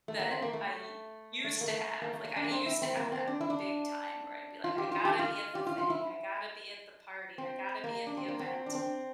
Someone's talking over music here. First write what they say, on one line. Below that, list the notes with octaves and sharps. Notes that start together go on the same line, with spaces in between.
that I u used to have, like, I used to have that big time where I'd be like, "I gotta be at the thing, I gotta be at the party, I gotta be at the event."
A3
A#3
C4
A#3
A3
A3
A#3
A3
A#3
A3
A#3
D4
A#3
C4
E4
C4
A#3
C4
D4
E4
D4
F4
G4
F4
G4
F4
G4
F4
F4
E4
C4
A#3
D4
C4
A#3
C4
D4
C4